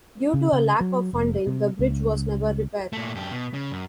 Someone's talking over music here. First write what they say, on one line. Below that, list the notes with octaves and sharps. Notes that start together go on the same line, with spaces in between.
Due to a lack of funding, the bridge was never repaired.
C#3
C#3
F#3
F1
C3
C#2
A#2 A3
F#2 G4
B2
C#3
F#2